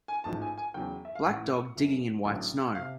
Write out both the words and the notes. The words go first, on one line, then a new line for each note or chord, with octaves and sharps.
Black dog digging in white snow.
G#5
A1 G#2 F3 A5
G#5
G#5
E2 C#3 F#3 G5
E5
F5
A1 A2 E3 F#5
F#1 F#2 D3
A1 G2 D3 F#3
F5
C3